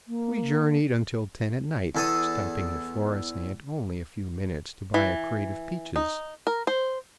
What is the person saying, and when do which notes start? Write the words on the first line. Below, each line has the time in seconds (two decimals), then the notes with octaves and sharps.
We journeyed until ten at night, stopping at Florisant only a few minutes to buy a crate of peaches.
0.08 A#3
1.95 E2 A4 D#6
4.94 E3
5.96 D#4
6.47 A#4
6.67 C5